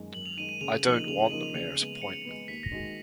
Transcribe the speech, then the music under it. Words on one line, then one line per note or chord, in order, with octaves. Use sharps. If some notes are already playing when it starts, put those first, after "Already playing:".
I don't want the mayor's appointment.
Already playing: F#2 D#3 G#3
F#2 F#7
F7
D#3 G#3 D#7
D#7
C#3 F7
F3 A#3 D#4 F#7
C#3 F7
F#7
F3 A#3 D#4 D#7
F7
C#3 F7
G#3 B3
C#3 C#7
G#3 B3
D#2 B6
A#6
D#3 G#3 D#4 F#4